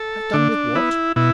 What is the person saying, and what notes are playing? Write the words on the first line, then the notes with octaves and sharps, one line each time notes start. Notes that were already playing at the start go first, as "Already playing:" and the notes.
'Have done with what?
Already playing: A4
D3 D4
B3 E4
B2 E4